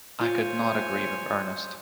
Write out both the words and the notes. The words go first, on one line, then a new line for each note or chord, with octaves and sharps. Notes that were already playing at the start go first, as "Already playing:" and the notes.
I could not agree with Ernest.
F4 C5 C#5 G#5